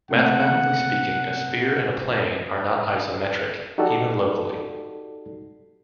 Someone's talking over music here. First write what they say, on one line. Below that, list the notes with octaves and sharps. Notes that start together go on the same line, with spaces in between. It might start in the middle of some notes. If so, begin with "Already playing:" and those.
Mathematically speaking, a sphere and a plane are not isometric, even locally.
C3 A3 A#3 F#5
D#4 F#4 G4 A4 D5